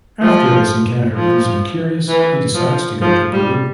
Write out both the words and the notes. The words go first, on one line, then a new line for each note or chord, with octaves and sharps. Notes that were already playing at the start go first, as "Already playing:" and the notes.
After this encounter leaves him curious, he decides to go to Peru.
F3
F3
E3
F3
F3
G3